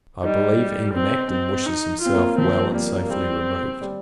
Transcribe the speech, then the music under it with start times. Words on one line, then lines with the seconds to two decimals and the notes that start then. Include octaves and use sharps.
I believe, even Acton wishes himself well, and safely removed.
0.24 G3 D#4
0.95 C4
1.31 C4
1.66 D#4
2.02 C4 F4
2.14 A#3
2.38 F3 C4
2.74 G3 A#3
3.10 G3 C4
3.81 G3